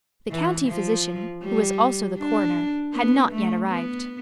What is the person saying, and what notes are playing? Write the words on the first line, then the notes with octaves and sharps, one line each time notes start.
The county physician, who was also the coroner, had not yet arrived.
E3
F3
G3
D4
B3
A3
B3